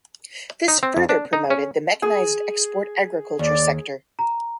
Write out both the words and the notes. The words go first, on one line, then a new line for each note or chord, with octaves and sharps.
This further promoted the mechanized export agriculture sector.
D#4
C4
F2
D4
D#4
C#4
G#4
D#2 D5
A#5